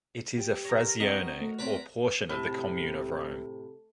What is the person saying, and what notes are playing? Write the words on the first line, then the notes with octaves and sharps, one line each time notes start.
It is a frazione, or portion of the commune of Rome.
G4
A#4 C#5 A#6
C4 F#4 A#4 D#5
A3
C4 B4 C#5 D5 A#5
A2 C3